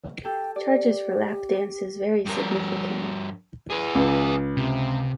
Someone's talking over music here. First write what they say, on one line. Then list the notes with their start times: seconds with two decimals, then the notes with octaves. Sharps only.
Charges for lap dances vary significantly.
0.25 G4 A4 G5
0.56 G4 D5
2.26 G2 A#4
3.70 G#4 B4
3.95 C#2
4.57 C3